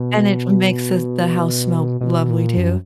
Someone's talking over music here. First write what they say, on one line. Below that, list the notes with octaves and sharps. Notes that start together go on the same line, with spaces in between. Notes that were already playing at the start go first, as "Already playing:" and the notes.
And it makes the the house smell lovely, too.
Already playing: B2
B2
A#2
F#2